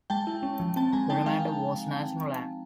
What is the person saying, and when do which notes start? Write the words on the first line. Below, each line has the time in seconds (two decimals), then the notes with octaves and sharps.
The remainder was national land.
0.10 G#3 G5 A5
0.27 E4
0.43 C#4
0.60 F3
0.76 C4 G5 A5
0.93 G#3 G#5 A#5
1.10 D#4 G5 A5
1.26 G#3 F5 G5